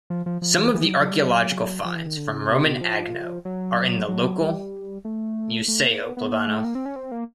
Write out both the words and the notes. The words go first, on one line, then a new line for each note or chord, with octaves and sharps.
Some of the archaeological finds from Roman Agno are in the local Museo plebano.
F3
F3
F3
E3
E3
G3
F#3
F#3
G3
F#3
F3
E3
D#3
D3
C#3
C3
B2
F3
F#3
F#3
G3
A3
A3
A#3
B3
B3
A#3
A3
A#3
C4
C#4
C4
A#3